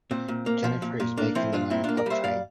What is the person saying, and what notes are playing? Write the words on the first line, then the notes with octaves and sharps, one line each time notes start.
Jennifer is making the nine o'clock train.
A#2 C4
A#2
A#3
F3
A#2
A#2
A#3 D4
F3 C4 E4
A#2 D4 F4
A#2 C4 E4
A#3 D4 F4
A#4 D5
G3 C5 E5
A#2 D5 F5